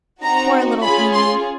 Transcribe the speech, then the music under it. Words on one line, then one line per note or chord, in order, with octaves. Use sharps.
Poor little Amy!
C4 D#4 F#4 A#5
C#4 F4 G#4 B5
C6